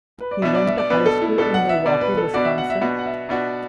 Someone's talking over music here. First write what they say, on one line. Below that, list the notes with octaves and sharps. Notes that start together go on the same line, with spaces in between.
He went to high school in Milwaukee, Wisconsin.
B4
D5
B2 B3 D4 E5
D5
E5
D5
B2 B3 D4 B4
A4
E4
B2 B3 D4 A4
F#5
E5
B2 B3 D4 D5
B4
A4
B2 B3 D4 F#4 D5
E5
F#5
E5
B2 B3 D4 F#4
F#5
E5
B2 B3 D4 F#4